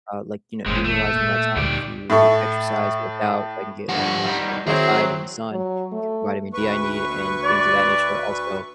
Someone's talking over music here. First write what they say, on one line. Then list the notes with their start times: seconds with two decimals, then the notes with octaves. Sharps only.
uh like, you know, utilizing my time to exercise, work out, so I can get, like, you know, I go outside in the sun, get the vitamin D I need, and things of that nature, also,
0.66 G1 E2 A#2 G#3 C4 C#4
0.84 A3
1.12 A#2
1.56 D2 A#2 D3 D#4 G4 D5
2.10 A2 E4 A4 C#6
3.89 G2 F3 G4 F#5
4.26 G3 D#4
4.67 D#3 F#3 C4 E4 G#4
5.52 F#3
5.92 A3
6.54 D2 B4 C#6
7.43 D5